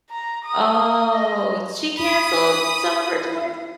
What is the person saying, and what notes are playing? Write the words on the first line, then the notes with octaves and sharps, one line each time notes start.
Oh, she canceled some of her tours?
A#5
D#6
D#5
B5 D#6